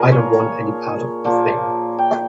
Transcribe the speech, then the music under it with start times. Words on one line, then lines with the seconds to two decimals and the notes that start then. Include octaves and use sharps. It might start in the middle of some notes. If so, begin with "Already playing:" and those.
I don't want any part of this thing.
Already playing: A#2 F3 A#3 G#4 A#4
0.12 C#5
1.24 A#2 F3 A#3
1.98 G5